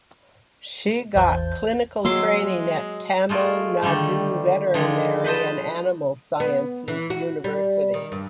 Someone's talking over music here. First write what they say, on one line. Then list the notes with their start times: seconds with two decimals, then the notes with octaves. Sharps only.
She got clinical training at Tamil Nadu Veterinary and Animal Sciences University.
1.15 A1 E2 C5 A5 G6
2.05 F#3 G#3 A#3 C6 D6 E6 C7
3.29 G#3 A3 F4 A#4
3.82 D3 D#3 G3 A3
4.74 D3 F3 G3 G#3
5.24 B4 C5 D#5 A5
6.40 B3
6.88 E3
7.10 F#4
7.44 G3
7.94 D#3
8.12 G2